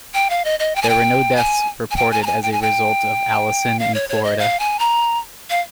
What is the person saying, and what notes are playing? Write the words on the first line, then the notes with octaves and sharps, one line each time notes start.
There were no deaths reported as a result of Allison in Florida.
G5
F5
D#5
D#5
G5
G#5
G5
G#5
G#5
G5
G#5
A#5
G#5
G5
G#5
G5
F5
C#5
C#5
D#5
F5
G#5
A#5
F5